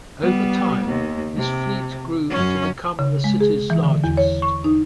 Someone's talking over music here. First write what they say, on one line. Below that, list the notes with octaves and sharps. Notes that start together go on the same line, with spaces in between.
Over time, his fleet grew to become the city's largest.
G3 B3
D#2
C3
F#2 C#4
C#3
G#3
G#4
E3
D3
E2
C#5
C#6
D#4